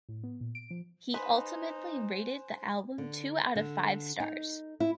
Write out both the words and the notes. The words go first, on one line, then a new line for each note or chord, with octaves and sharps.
He ultimately rated the album two out of five stars.
A2
B3
A#2
D7
F3
D#4 B4 C5 G#5 C6 F#6
D3
D3
D#4
E4